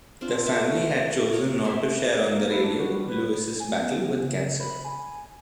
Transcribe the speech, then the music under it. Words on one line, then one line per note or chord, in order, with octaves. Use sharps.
The family had chosen not to share on the radio Lewis' battle with cancer.
C4 D4 F4
A3 F#4 A5
C5
A#4 C#5 D5 D6
C4 G#4 E5
A#3
E4
D4
F#4
G3
B4
G#5
B3
C#3
B5
G#5